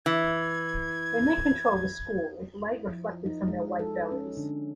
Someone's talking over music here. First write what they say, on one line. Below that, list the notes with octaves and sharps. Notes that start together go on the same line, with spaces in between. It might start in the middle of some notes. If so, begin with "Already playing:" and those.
They may control the school with light reflected from their white bellies.
E3 G#6
E4
F3
D#4
G#3
A4
C#4
D3